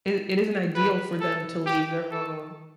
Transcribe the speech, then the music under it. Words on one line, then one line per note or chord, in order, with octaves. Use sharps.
It it isn't ideal for them to leave their home
B4
A4
G4
A4